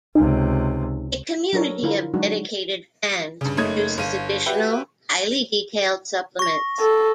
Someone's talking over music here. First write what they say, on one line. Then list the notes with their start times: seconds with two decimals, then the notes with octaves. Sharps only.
A community of dedicated fans produces additional highly-detailed supplements.
0.15 C#2 C3 D#4
1.53 F#3 D4 A4 A#4 C#5
1.83 D3 E4 F4 A#4
2.14 F#3 G#3 D4 D#4 F#4
3.41 G2 C#3
3.57 F#1 A3 D#4 C#5 D#6 G#6
3.98 G1 F5 D#7
4.46 F#4 G4 B4 E5 G5
6.39 C#6 A#6
6.80 A4